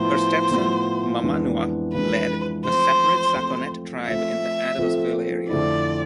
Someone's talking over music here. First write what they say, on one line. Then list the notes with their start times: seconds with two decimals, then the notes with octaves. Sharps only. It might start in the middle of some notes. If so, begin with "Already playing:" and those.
Her step-son Mamannuah led a separate Sakonnet tribe in the Adamsville area.
Already playing: A2 F3 B3 E4 C5
0.50 A2 F3 B3 E4
1.22 F2 E3 G#3 B3 D4
1.93 F2 E3 G#3 B3 D4 B4
2.65 F3 A3 C4 C5
3.36 F3 A3 C4
4.07 F3 A3 C4 F4 A4 E5
4.78 F3 A3 C4 F4 A4
5.49 F2 D3 A3 C4 E4 D5